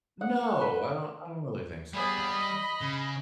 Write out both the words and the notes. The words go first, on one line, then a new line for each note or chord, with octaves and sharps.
No, I don't I don't really think so, no.
F#5
B4
G3 B3 G#4 B5
D#5
C#3